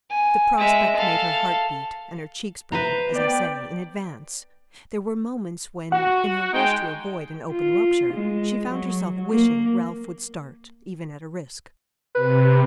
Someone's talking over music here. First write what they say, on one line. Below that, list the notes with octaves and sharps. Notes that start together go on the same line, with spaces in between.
The prospect made her heart beat and her cheeks burn, as I say, in advance; there were moments when, in her wish to avoid an open rupture, she found herself wishing Ralph would start even at a risk.
G#5
G#3 E5
A4 F5
B4 C5 A#5
B3 D5 G5
F#4 F#5
G#3 D#4 G5
F4
G#3
F#3
A#3
C3 B4